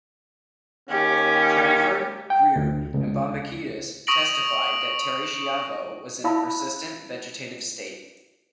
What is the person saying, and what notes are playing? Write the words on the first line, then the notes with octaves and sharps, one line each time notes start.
Cranford, Greer, and Bambakidis testified that Terri Schiavo was in a persistent vegetative state.
D#2 C#4 G4
G5
D2
C#2
C#6 D#6 A#6 D7 F#7
E4 E5 F5 A5 B5 E6